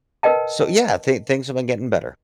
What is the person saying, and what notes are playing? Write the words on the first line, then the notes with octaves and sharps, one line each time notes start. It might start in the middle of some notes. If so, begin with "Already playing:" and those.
So, yeah, I thin things have been getting better.
A#4 B4 D#5 G5 A5